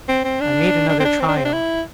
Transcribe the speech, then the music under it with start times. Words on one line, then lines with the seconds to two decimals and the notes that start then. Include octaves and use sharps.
I made another trial.
0.08 C4
0.24 C4
0.41 D4
0.89 D4
1.00 C4
1.05 D4
1.20 C4
1.28 D4
1.37 C4
1.45 D4
1.53 E4